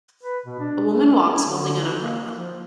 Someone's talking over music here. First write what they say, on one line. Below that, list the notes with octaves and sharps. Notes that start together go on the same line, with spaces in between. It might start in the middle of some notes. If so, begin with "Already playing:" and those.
A woman walks holding an umbrella.
B4
B2
D4
A3
E4
D3
D#4
A#3
F3